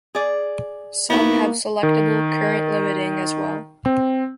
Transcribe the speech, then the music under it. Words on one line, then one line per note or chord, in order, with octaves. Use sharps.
Some have selectable current limiting as well.
G#4 D5
A#3 B3 D#4 E4 F#4
D#3
C4